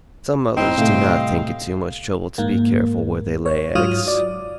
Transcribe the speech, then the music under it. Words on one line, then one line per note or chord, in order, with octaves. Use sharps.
"Some mothers do not think it too much trouble to be careful where they lay eggs."
A2 C4 D#4 E4
A2 C3 G3 A3 D#5 F5
G#2 A#3
C#5
G#2 F#3 F4 C#5 D#6 F6
D5